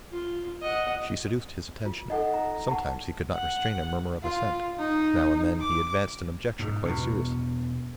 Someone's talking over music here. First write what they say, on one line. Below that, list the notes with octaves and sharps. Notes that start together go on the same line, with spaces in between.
She seduced his attention; sometimes he could not restrain a murmur of assent; now and then he advanced an objection quite seriously.
F4
D#5 F#5
F4
D#4 A4 D#5 F#5
A#5
F#5 A5
F#5
F4
D#4
D6
G#2
E2 B2